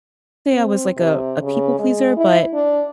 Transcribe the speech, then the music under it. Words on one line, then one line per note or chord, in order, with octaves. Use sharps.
say I was like a a people pleaser, but
C4
C3
C#3
G#3
E4
D4